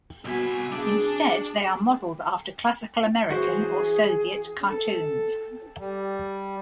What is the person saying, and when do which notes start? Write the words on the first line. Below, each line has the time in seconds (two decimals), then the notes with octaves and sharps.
Instead, they are modeled after classical American or Soviet cartoons.
0.25 C2 B3 F#4 E5 G#5
0.72 D4 G#4
3.29 E3 F#4 G#4 C5
4.70 A4
5.78 G3